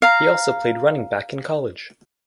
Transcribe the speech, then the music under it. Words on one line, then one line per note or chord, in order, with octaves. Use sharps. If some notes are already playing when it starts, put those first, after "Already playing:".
He also played running back in college.
F5 A#5